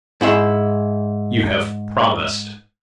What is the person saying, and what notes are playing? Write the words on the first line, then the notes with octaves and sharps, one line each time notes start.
"You have promised!"
G#2 E4 E5 C6